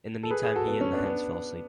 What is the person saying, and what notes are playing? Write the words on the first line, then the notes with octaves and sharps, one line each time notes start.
In the meantime, he and the hens fell asleep.
A4
G#4 B4
G#4 B4
F#4 A4
B3
C#4
B3 D4
B3 D4